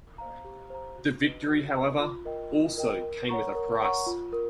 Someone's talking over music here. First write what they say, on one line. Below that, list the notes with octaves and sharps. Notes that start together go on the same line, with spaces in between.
The victory however, also came with a price.
C5 F5 A#5
G4
C5 F5 A#5
F#4
B4 D#5
F#4
B4 D#5
F4
A#4 D#5 G5
F4
A#4 D#5 G5
A#4
C#5 F#5 A#5 C#6
A#4
C#5 F#5 A#5 C#6
F4
A#4